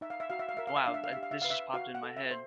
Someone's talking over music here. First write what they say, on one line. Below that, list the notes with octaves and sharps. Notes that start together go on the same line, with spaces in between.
Wow. Uh, this just popped in my head.
D#4 E5
F5
E5
F#4 F5
E5
F5
A#4 E5
F5
E5
D4 F5
E5
F5
G4 E5
F5
E5
B4 F5
E5
F#4 F5
F#5
A4
E5
C5